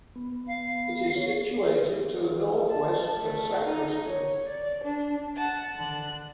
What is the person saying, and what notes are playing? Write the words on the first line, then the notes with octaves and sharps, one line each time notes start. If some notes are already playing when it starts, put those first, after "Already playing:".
It is situated to the north-west of Sacriston.
B3
F5
C#5
A5
A3
D#4
C#5
D5
D4
F#5 A5
D3 F#6